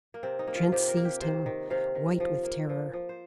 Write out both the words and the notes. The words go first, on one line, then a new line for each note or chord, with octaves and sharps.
Trent seized him, white with terror.
A#3
C3 C4
D#4
A#3
F4
C3 G4
A#4
A#3
G4
C3 C5
D#3
C3 F5
D#3
F3
A#3
F3
F3
C5